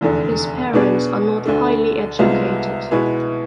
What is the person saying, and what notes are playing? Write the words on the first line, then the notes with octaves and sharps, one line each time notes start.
His parents are not highly educated.
F1 E2 D3
B2 B3 D4 G#4
D2 D3 A3
C2 C3 G#3 B3 F4
B2 G#3 B3 E4 G#4